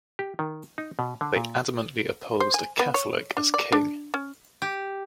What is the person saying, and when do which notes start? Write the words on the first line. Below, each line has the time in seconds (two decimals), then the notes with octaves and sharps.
They adamantly opposed a Catholic as king.
0.19 G4
0.39 D#3
0.78 D#4
0.99 B2
1.21 D3
1.36 A#2
2.40 C5
2.54 G#5
2.80 B3
2.94 C#5
3.37 D4
3.54 D5
3.72 D4
4.14 C#4
4.62 G4